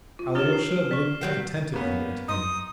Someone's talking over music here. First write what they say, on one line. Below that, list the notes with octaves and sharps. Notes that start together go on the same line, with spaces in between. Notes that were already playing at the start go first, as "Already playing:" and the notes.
Alyosha looked attentively at him.
F4
D4 G4 C#5 F6 E7
C7
D5 C#6 B6
D#3 F#3 G3 G6 C7
A#3 B3 C#4
D#4 C6 D#6